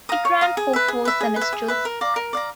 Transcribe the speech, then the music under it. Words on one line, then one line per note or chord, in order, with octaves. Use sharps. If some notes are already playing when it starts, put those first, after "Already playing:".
It ran for four semesters.
F5 A#5 D#6
C#5
F5 A#5 D#6
G#4
B4 E5
G#4
B4 E5
G#4
B4
E5
G#4
B4 E5
A#4
D5 F5 A#5
A#4
D5 F5 A#5